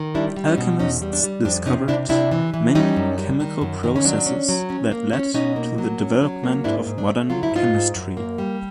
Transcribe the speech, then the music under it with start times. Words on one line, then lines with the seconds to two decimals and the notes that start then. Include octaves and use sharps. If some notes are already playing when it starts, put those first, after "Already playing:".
Alchemists discovered many chemical processes that led to the development of modern chemistry.
Already playing: D#3
0.15 G3 D4 E4
0.37 G3
0.47 C#4 D#4
0.58 B2
0.79 E2 C#4 D#4
1.02 G3
1.13 D4
1.24 G3
1.45 F2 D4
1.66 C3 C#4 D#4
1.88 C3 D4 E4
2.09 C3 D4 E4
2.31 E3
2.54 E3
2.75 G3 C#4 D#4
2.96 F#2
3.18 G3
3.40 D#3
3.61 F#2
3.83 D#3
3.96 C#4
4.05 F#3 D4
4.26 C#4
4.49 F#3
4.70 C#4
4.91 A#3
5.13 C#4
5.34 B2 C#4 D#4
5.56 A#3
5.78 F#3
6.00 C#4
6.22 F#3
6.44 A#3
6.64 G#2 D4 E4
6.86 G#2
6.98 D4
7.09 A3
7.30 F#3 F4
7.43 E4
7.52 G#2 D#4 F4
7.74 G#2
7.95 F#2
8.17 A#3
8.38 G3